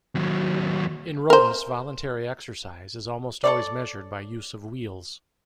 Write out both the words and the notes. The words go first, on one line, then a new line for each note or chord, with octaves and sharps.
In rodents, voluntary exercise is almost always measured by use of wheels.
D#2 F#3
A#4 C5
A4 C#5 D5